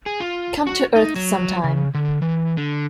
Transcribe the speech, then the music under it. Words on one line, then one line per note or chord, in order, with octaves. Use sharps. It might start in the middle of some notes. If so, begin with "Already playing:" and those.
Come to Earth sometime.
G#4
F4
F#4
D#4
F#3
C#3
D3
E3
D3